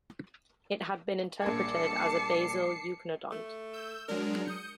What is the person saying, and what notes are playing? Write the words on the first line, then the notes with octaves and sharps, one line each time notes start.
It has been interpreted as a basal eucynodont.
A#1 G3 A#3 A5 D6 G#6 C7 C#7
A3
E6 G6
F#3 G#3 D4 A#4
D#6 G6 C#7